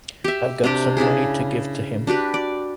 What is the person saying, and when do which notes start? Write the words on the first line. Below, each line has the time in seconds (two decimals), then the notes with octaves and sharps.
I've got some money to give to him.
0.24 G4 E5
0.64 C3 C4 D4 G4
0.97 C#3 D4 E4 G#4
2.07 D4 F#4 G4 B4
2.34 D5